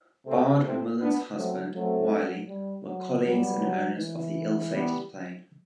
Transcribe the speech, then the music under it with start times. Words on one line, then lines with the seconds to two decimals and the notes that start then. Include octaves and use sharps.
Bard and Mullen's husband, Wylie, were colleagues and owners of the ill-fated plane.
0.26 C3 A3 C4
0.63 A3 C4
1.00 B3 D4
1.37 F#3 A3 C4
1.75 F#3 A3 C4
2.11 F#3
2.48 G3
2.86 F#3
3.22 F#3 G3 B3
3.60 F#3
3.97 E3
4.71 G3 B3